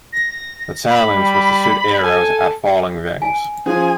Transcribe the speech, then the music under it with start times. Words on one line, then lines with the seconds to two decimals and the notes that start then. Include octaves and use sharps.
The challenge was to shoot arrows at falling rings.
0.13 A#6
0.90 B5
1.15 G3
2.03 A4 G#5
3.22 G#5
3.66 F3 C#4 G#4 G#5